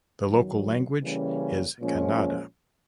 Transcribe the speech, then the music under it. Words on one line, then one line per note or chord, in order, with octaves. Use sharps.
The local language is Kannada.
F#2 D#3 F#3
C#3 E3 G3 A#3 C#4
A#2 F3 G#3 C#4